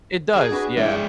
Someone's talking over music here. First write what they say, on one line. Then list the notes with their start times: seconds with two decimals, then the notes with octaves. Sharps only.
It does, yeah.
0.36 F#3 G#4
0.51 D4 F#4 B4
0.77 G#3 E4 D5
0.90 A3 G#4